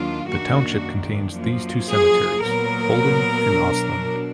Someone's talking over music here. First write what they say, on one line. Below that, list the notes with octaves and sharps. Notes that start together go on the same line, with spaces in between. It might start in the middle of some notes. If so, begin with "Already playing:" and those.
The township contains these two cemeteries: Holden and Ostlund.
Already playing: D#2 D#3 F#3 D4 F4
F#2 D#3 A#3 D4 F#4
F#2 F3 A#3
G#4
A#2 F#3 B3 A#4
B2 F#3 D4